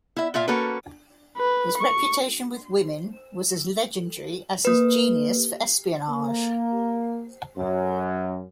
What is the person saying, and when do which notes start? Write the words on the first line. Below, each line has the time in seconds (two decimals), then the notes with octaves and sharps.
His reputation with women was as legendary as his genius for espionage.
0.16 E4 E5
0.34 A#2 F4 E5 F5
0.48 A#3 C#4 F#4 A4 B4
1.38 B4
1.78 C#6
4.65 A#3 B4
6.09 A#3
7.57 F#2